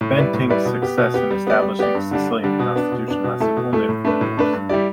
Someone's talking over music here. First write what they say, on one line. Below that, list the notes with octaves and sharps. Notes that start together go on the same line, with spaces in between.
Bentinck's success in establishing a Sicilian constitution lasted only a few years.
A2
G3 E4 B4 D5
A2
G3 E4 B4 D5
B2
B3 G4
B2
B3 G4
G3
B3 G4 D5
G3
B3 G4 D5
G2
D3 G3 D4
G2
D3 G3 D4
B2
B3 D4
B2
B3 D4
B2
A3 E4 A4
B2
A3 E4 A4
A2
A3 D4 B4
A2
A3 D4 B4
G2
G3 E4 G4 D5